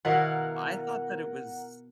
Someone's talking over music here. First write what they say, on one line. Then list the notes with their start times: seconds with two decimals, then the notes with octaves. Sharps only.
I thought that it was
0.05 B2 D#3 E4 F4 A#4 D#5 F#5